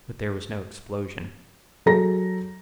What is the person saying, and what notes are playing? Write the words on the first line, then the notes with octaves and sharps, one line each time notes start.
But there was no explosion.
F#3 G#4 A4 A#5 A#6